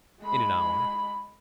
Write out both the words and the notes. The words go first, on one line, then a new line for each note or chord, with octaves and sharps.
"In an hour."
G#3 B5